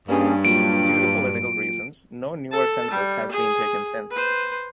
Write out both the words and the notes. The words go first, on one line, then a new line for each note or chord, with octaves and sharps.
Due to political reasons, no newer census has been taken since.
G2 A#3 C#4 G#4
A#2 F#3 D7
A4 A5
G3
G#4
B4 C5